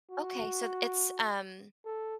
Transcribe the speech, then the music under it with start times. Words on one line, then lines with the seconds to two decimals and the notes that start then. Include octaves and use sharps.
Okay, so it's, um
0.11 F#4
1.85 A4